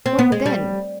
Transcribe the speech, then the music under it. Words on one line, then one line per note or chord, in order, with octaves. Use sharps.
What then?
C4
B3
G#3
G3